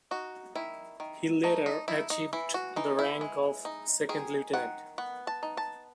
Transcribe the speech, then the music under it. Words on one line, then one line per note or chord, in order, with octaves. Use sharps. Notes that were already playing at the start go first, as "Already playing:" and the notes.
He later achieved the rank of Second Lieutenant.
D#4 F#4
D#3 E4
D#3
A3 D#4
D#4
D#4 E4
D#4
E3 E4
F#4
E3 D#4
E4
G#3
D#4
D#3 G#4
D#3 F#5
B3 F#5
A5
D#4
A5